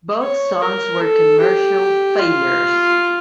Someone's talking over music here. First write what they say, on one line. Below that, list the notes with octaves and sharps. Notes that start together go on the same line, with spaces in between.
Both songs were commercial failures.
C#5
A#4
A4
G4
F4